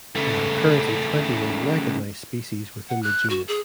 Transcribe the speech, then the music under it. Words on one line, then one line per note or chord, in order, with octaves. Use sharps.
There are currently twenty-one recognised species within the genus.
C#3 A3
F#5
F#6
F#4
G#4